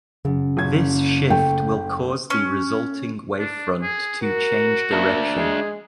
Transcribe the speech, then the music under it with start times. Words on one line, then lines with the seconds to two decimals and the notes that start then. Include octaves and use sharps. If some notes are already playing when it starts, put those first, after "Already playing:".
This shift will cause the resulting wavefront to change direction.
0.25 F#2 C#3
0.57 F#1 G#6
1.30 A3 G5
2.30 C#4
3.39 D4
3.82 G#4
4.22 F#4 A#4
4.92 A#3 D4 E5
5.36 G#3 G#4